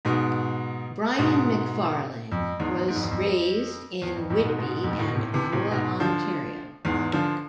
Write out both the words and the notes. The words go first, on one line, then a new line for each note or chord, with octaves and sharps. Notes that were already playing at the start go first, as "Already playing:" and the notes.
Brian McFarlane was raised in Whitby and Ottawa Ontario.
G#2 B2
G#2 B2
F2
E2 G#2
G#2
F2
E2
F2
E2
F2
F2 A2
G#2 B2
G#2 B2
F2
G#2
A2
B2
A2 C3
C3 E3
A2 C3
G#2 B2
D3 F3
E2 G#2
D3 F3